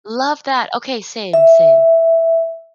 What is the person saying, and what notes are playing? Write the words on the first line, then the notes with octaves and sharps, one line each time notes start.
Love that! Okay, same, same.
E5